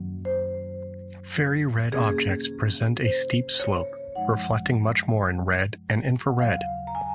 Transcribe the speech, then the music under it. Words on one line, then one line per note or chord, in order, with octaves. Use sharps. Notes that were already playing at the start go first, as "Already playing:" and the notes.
Very red objects present a steep slope, reflecting much more in red and infrared.
Already playing: F#2 D#3 F#3 A#3 C#4
C5
C3 D#3 A#3 C#4 G#4
C5
C#5
F#2 F3 G#3 D#4 F#5
F#5
D#2 C#3 F#3 F5
A#5
G#5